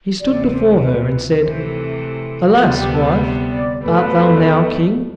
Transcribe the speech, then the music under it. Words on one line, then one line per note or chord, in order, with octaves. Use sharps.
He stood before her, and said, "Alas, wife, art thou now king?"
D2 C3 E3 D5
C5
B4
C3 E3 A3 C5
D2 C3 G3 B3 F4
G4
A4
B4
D5
E2 B2 A3 B4